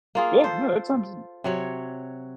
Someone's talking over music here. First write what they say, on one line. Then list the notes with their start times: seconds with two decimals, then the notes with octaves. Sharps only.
Well, no, that sounds
0.15 A#3 F4 G#4
0.41 A4 C5
1.44 C3 F#3 C#5